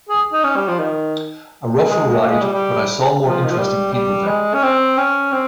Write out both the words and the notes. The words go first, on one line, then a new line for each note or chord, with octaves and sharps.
A rougher ride but I saw more interesting people there.
G#4
D#4
C#4
G3
F3
D#3
G#3
G#3
A#3
G#3
G3
G3
F3
D#3
F3
G3
G3
G#3
C#4
C4
C#4
C4